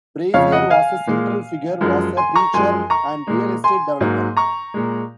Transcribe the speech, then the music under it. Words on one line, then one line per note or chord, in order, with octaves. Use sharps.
Brazier was a central figure was a preacher and real estate developer.
F2 C#3 F3 C#5 F5
D#5 F#5
F5 G#5
A#2 G#3
F#2 F3 G#3
G#5 C6
A#5 C#6
F#2 F3 G#3 G#5 C6
A#5 C#6
A#2 G#3
G#5 C6
G#2 F#3 A#3
A#5 C#6
A#2 G#3